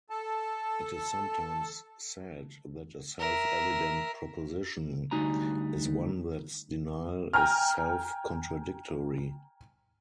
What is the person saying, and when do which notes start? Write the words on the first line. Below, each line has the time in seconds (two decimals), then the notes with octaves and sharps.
It is sometimes said that a self-evident proposition is one thats denial is self-contradictory.
0.10 A4 A5
3.20 A#4 E5
5.11 D2 G3 D#4 F#4 G#5 A#5
7.33 G5 G#5 A#5 F6